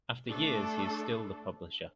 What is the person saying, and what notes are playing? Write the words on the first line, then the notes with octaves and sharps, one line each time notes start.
After years, he is still the publisher.
A3 D4 A4